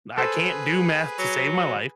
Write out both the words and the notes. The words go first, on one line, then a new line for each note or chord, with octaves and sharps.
I can't do math to save my life,
G#4 A4 B4 C5
F#3